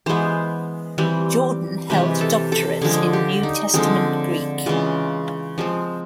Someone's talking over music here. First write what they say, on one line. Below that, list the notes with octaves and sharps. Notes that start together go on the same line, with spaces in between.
Jordan held a doctorate in New Testament Greek.
E3 G#3 B3 C5
E3 G3 C4
C3 E3 G#3 B4
A4
A4
D3 F3 G#3 G#4
G4
D#4
D3 F3 G#3 C4
C#3 E3 G#3 F4
F3 G#3 C4